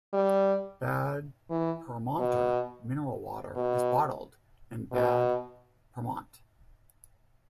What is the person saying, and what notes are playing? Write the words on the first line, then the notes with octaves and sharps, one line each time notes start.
Bad Pyrmonter mineral water is bottled in Bad Pyrmont.
G3
E3
B2
B2
B2